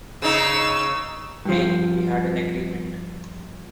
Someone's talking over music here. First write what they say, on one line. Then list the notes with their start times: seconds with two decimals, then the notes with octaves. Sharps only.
Hey, we had an agreement!
0.22 C#3 D#4 E6
1.45 G2 F3